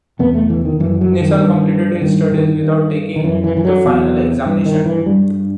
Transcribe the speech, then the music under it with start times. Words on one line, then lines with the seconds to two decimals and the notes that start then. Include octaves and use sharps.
Nissen completed his studies without taking the final examination.
0.19 E2 C3 B3
0.34 A3
0.50 E3
0.65 D#3
0.80 F#2 E3
1.01 F#3
1.21 D#3
1.41 G2
2.01 G2 D#3
2.32 D#3
2.63 G2
3.16 D#3
3.24 F#2 E3
3.44 E3
3.57 E3
3.65 F#3
3.85 E2 C3
4.46 G2 E3
4.66 D#3
4.86 E3
5.06 G2 G3